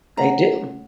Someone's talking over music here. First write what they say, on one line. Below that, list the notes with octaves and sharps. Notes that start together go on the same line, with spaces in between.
They do.
A3 C#4 F#5 A#5